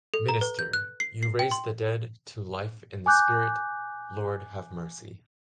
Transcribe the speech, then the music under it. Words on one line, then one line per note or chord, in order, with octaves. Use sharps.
Minister: You raise the dead to life in the Spirit: Lord, have mercy.
A4
A#5
B4
G6
F#6
C7
C7
G5
C6
G#5 D6 F#6 G6